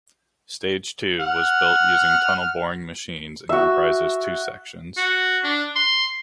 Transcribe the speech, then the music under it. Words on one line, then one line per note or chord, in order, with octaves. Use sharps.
Stage Two was built using tunnel boring machines and comprises two sections.
F#5 F6
F#4 E5
F#4
D4
C6